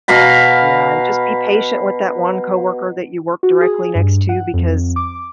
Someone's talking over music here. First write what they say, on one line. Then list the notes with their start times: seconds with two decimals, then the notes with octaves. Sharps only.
Yeah, and just be patient with that one coworker that you work directly next to because,
0.08 B2 F5 A#5 B5
3.43 F#4
3.61 G#4
3.95 G2
4.29 F#5
4.54 F2
4.96 D6